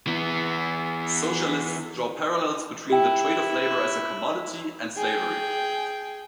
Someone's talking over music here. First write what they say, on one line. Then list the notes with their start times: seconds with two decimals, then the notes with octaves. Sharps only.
Socialists draw parallels between the trade of labor as a commodity and slavery.
0.07 E3 B3
2.90 E4 G4 G5
4.96 G#4 G5